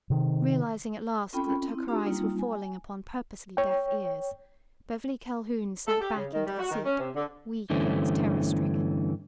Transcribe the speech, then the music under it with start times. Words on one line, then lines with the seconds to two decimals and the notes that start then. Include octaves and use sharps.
Realizing at last that her cries were falling upon purposely deaf ears, Beverly Calhoun sank back into the seat, weak and terror-stricken.
0.10 C3 D#3
1.33 C4 C#4 F4 A4 G5 B5
1.68 C4 E4
1.88 D4 F4 G4 A#5
2.06 G3 A#3 C4 D#4 F4
2.39 G#5
3.57 C#5 G5
5.88 A4
6.00 G4
6.16 C#3
6.33 D#3
6.46 G3
6.59 F#4
6.71 D#3
6.85 C#4
6.99 C3
7.15 D3
7.70 G2 D3 E3 A3 C4 C#4